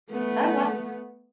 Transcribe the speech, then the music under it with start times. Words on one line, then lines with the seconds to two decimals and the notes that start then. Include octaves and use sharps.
Oh, wow.
0.11 A3 B3